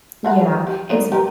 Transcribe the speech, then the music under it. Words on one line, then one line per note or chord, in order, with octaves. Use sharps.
Yeah. It's i
A3 F#4 B5
G4
B3 D#4 D5
G4 A#4 B4